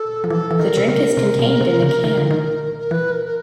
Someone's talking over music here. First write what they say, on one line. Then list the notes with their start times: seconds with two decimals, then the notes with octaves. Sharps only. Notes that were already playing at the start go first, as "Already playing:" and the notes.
The drink is contained in a can.
Already playing: A4
0.24 F3
0.30 E3 A4
0.51 E3
0.59 D#3 A#4
0.77 C3
0.88 C#3 A#4
1.17 C3
1.39 B2
1.61 C3
1.82 C#3
2.04 D#3
2.17 D3
2.31 D#3
2.79 A#4
2.91 E3 B4
3.12 A#4
3.25 A#4